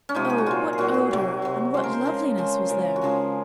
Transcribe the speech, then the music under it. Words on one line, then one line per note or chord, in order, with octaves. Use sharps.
Oh, what odour and what loveliness was there!
C#4
C3 F3 G#3 D#4
G#4
F#4
A#2 F#3 F4
G#4
A#2 F#3 F#4
F#4
C3 F#3
C3 F#3
C#3 F3 G#3 C5
A#4
C5
C#3 F3 G#3 A#4
C#3 F3 G#3 C5
C#3 F3 G#3 A#4
F#4
C#3 F3 G#3 G#4